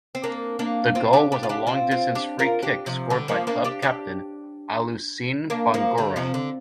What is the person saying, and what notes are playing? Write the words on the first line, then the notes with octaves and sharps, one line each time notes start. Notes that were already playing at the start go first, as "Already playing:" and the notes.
The goal was a long distance free-kick scored by club captain Alusene Bangura.
C4
A#3 D4
A#3 D4
C4 F4
D4 G4
D4 G4
F4
D4 G4
C4 F4
C4 F4
D4 G4
F4 A#4
D4 G4
C3 F3
D3 G3
F3 A#3
A#3 D4
D4 G4
D4 G4
A#3 D4
F3 A#3
D3 G3
C3 F3
D3